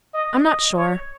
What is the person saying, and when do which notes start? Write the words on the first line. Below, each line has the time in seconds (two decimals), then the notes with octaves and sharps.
I'm not sure.
0.14 D#5
0.45 D#5
0.77 C#5